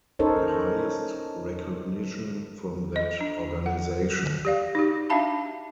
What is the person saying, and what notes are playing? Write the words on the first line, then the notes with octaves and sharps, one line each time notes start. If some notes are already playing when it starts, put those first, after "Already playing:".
The highest recognition from that organization.
C#4 D#4 A4 A#4 C5 C#5
D#5
D4
F#5
G4 D5 F5
D#4 F#4 G4
D4 F#4 E5 F5 A5 B5